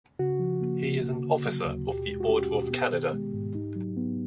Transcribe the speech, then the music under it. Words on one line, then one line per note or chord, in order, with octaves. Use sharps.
He is an Officer of the Order of Canada.
C#3 F#4
F3
A#3
C#3
A#3
D3
F#3
D#2
B2 G4
G#3
F#4
C#4 G4
B2
B3
D#3
G#3
G#2
D#4
F#3
B3